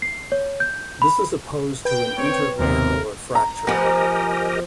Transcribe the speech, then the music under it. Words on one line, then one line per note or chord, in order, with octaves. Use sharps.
This is opposed to an intergranular fracture.
C7
C#5
G6
B5
B4 G5
C4 C#5
G#1 D#2 C3 C4 A#4
A#5
F3 B3 G4 A#4 D#5 G#5